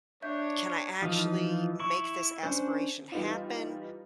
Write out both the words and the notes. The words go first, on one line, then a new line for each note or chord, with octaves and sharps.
"Can I actually make this aspiration happen,"
D4 C#5 E5 G6
E3 F3 D#4 F4
E4 C#6
C#4 D4 C5
E3 G3 B3 D#4 F4